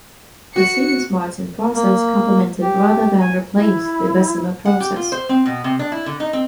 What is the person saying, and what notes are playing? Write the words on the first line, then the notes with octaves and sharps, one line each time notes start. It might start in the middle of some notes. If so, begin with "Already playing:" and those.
The Siemens-Martin process complemented rather than replaced the Bessemer process.
F#4 C#7
A#3
G4
G#5
E4
F#5
G4
F4
C5
C4
B2
C3
D4
E4
D3
D#4
C4